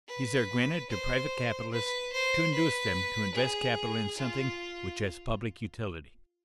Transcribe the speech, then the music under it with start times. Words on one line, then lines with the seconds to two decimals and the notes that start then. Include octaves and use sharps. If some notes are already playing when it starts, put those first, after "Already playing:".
These are granted to private capitalists to induce them to invest capital in something which has public utility.
0.08 B4
0.90 C5
1.72 B4
2.13 C5
2.54 B4
3.35 G#4
4.18 F4